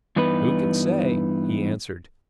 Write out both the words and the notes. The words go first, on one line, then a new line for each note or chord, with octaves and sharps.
"Who can say?" he answered.
G2 E3 B3 D#4 B4